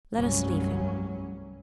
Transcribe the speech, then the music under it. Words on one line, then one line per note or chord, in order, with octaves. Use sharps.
Let us leave him.
F1 C2 G2 F#3 C#4